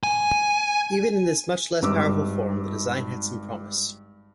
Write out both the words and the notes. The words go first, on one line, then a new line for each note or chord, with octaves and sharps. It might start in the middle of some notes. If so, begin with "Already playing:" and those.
Even in this much less powerful form the design had some promise.
G#5
G#1 G2 D6 E6